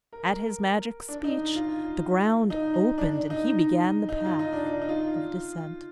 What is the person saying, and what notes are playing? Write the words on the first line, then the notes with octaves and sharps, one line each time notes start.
At his magic speech the ground opened and he began the path of descent.
A#4
D4
D#4
F4
D#4
D#4
D4
D#4
D#4
F4
D#4
D4
D#4
D#4
F4